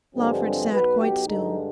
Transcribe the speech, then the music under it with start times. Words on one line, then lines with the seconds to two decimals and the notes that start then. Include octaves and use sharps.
Lawford sat quite still.
0.14 G2 D3 F3 G#3 C4 G4
0.70 B1 B2 B3 B4
1.00 G4
1.27 G2 D3 G#3 D#4